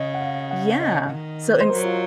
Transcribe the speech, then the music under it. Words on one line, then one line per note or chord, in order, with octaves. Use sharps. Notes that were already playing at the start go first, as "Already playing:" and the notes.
yeah, so ins
Already playing: C#3 D#5
F#5
F5
F#5
D#5
D#3
C5
F#3 A#4
F4